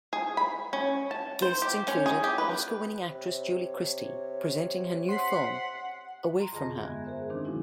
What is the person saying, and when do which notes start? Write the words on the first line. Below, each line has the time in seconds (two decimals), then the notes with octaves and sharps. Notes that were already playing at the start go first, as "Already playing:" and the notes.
Guests included Oscar-winning actress Julie Christie presenting her new film "Away From Her".
0.13 G#4
0.37 B5
0.73 C#4
1.11 A5
1.42 C5
1.62 G4
1.88 C#4
2.06 G#4
2.24 G4
2.38 B4
3.09 C3 C#5
5.09 F#5 C6 B6 C7
6.40 A#5 C6
6.53 F2 D3 G#4 D#5 A#5 A#6
6.84 G2 G#3 B3 E5 F#6 G#6
7.04 G#4 A#4 C5 E5
7.30 D#3 C4 D4 D#4
7.45 B2 F3 G#3 C#4 E4 F#4